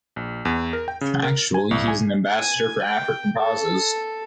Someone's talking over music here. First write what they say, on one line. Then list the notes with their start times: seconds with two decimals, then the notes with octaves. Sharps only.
Actually, he is an ambassador for African causes.
0.16 A#1
0.45 E2
0.73 A#4
0.88 G5
1.01 C#3
1.23 A#4
1.54 G#5
1.71 C2
1.88 G#5
2.38 G#5
2.84 G5
3.41 A4